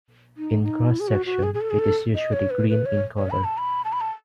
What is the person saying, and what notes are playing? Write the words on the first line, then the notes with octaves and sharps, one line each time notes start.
In cross section, it is usually green in color.
D#4
D#4
E4
G#4
F#4
F#4
G#4
G#4
A4
G#4
A4
D#5
C#5
B4
B4
C#5
C#5
B5
A5
B5
A5
B5
A5